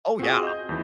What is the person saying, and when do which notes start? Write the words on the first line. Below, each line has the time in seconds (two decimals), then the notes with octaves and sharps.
Oh, yeah.
0.19 C4 F4 F#4 G#4
0.43 D#5 G6
0.69 D#2 E3